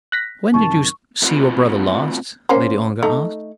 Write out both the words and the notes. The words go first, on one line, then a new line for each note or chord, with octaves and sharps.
"When did you see your brother last?" Lady Ongar asked.
F#6 A#6 B6
F#2 C3 D#3 A5 C#6
A2 A3 B3 C4 F4 F#4
A#3 C#4 C5
A3 D#4